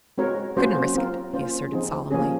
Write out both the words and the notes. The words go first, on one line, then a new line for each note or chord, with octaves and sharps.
"Couldn't risk it," he asserted solemnly.
G#3 C4 F#4 A#4 C#5
F#3 A#3 C#4 F#4 C5
C4 F4 A#4
A#3 C#4 F4 C5
F3 C4 D#4 G#4
F3 A#3 C#4 G#4